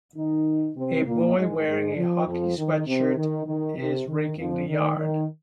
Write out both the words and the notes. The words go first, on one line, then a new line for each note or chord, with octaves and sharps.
A boy wearing a hockey sweatshirt is raking the yard.
D#3 D#4
C3 C4
A#2 A#3
G#2 G#3
G#2 G#3
F2 F3
F2 F3
D#3
C3
D#3
D#3
C3
D#3
F2 F3
D#3
D#3